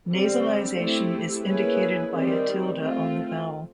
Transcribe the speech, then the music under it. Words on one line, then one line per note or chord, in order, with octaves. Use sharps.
Nasalisation is indicated by a tilde on the vowel.
D3 G3 C4
A3 C4 E4 G4
A#3 C#4 E4 G#4 B4
D#3 G3 C4
A3 C4 F4